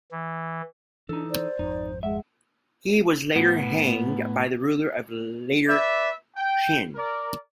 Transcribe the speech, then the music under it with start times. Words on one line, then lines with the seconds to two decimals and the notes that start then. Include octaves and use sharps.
He was later hanged by the ruler of Later Qin.
0.11 E3
1.09 E3 D4 D#4 A4
1.30 C5 D5
1.59 G#1 F2 D#4
2.03 G#3 E5 F#5
3.36 A2 B3
5.67 B4 D5 E5
6.36 G5
6.95 A#4 D5